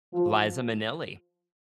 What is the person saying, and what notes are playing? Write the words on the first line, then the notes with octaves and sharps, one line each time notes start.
Liza Minnelli.
F3